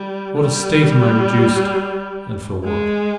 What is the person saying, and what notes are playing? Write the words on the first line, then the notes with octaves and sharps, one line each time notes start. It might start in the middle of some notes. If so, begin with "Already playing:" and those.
To what a state am I reduced, and for what?
Already playing: G3
G3
G#3